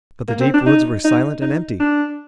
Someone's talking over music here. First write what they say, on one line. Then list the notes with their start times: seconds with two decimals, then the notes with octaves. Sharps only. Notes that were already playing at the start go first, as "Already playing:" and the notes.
But the deep woods were silent and empty.
0.28 A#3
0.41 C4
0.54 D4
0.66 D#4
1.04 D#4
1.42 D#4
1.80 D4